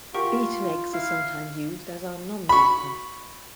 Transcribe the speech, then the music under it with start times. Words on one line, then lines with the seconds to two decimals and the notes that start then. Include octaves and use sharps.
Beaten eggs are sometimes used, as are non-beaten.
0.14 F4 G4 A#4 F#5 C#6 D7
0.93 E4 F5
2.49 B5 C#6